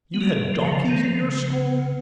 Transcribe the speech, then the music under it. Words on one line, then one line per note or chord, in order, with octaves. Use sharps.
You had donkeys in your school?
B3
A#3
F3
F#3
F3
D#3
F3
C#3